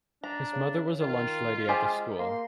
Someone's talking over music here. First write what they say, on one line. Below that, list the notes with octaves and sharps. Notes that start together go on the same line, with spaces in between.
His mother was a lunch lady at the school.
D4 A#5
C#3
D#3 F4
G#3 G4 G#4 C5
A#3 C6